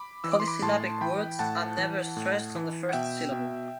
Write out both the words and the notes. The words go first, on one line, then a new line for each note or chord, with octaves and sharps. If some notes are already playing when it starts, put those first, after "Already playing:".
Polysyllabic words are never stressed on the first syllable.
Already playing: B5 D6
E3 E6
D6
C6
B5 D6
A2 A5 C6
E3 G5 B5
A2 F#5 A5
E3
A2
E3
F#5
B2 E5 G5
B2